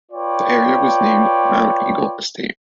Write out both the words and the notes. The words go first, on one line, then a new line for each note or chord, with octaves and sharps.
The area was named Mount Eagle Estate.
F4 B4 C#5 D5 G5